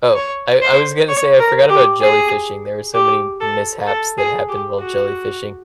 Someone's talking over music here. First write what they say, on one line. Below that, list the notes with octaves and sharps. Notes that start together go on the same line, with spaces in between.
Oh, I I was gonna say I forgot about jellyfishing; there are so many mishaps that happened while jellyfishing,
C#5
C5
C#5
A#4
G4
G#4
G4
A4
A4
G#4
G4
F#4